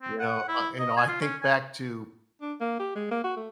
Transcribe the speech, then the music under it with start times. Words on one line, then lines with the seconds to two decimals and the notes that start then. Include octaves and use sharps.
You know, uh, you know, I think back to
0.02 C4
0.19 F#5
0.48 E4
0.79 D#5
0.97 G#5
1.08 F4
1.21 C#4
1.42 G#5
2.41 D4
2.61 A#3
2.79 G4
2.95 G#3
3.11 A#3
3.24 F#4
3.37 A3